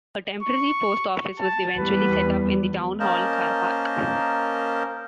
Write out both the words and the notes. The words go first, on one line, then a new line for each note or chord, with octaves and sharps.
A temporary Post Office was eventually set up in the town hall car park.
C#6
A5
E2 G3 B3 B4
A#3 C#4 A#4 C5 D#5 A5